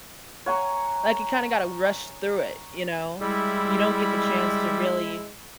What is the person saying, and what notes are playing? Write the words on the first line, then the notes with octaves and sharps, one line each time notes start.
Like, you kinda gotta rush through it, you know? You don't get the chance to really
C#5 F#5 G#5 A#5
G3 G#3 E4